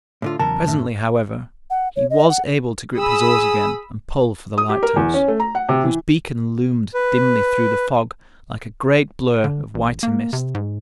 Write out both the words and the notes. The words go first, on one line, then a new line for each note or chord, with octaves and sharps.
Presently, however, he was able to grip his oars again and pull for the lighthouse, whose beacon loomed dimly through the fog like a great blur of whiter mist.
A2 D3 F4
E2 C#3 F#3 A#4 A5
F#2 A2
F#5
C#5
D#5
F#5
G#4 B5 D#6 E6
D#6
G4
A#4
E2
C#4
A3
A#5
F#5
C3
E3
B4
D3
A1
A#3
C3
G#2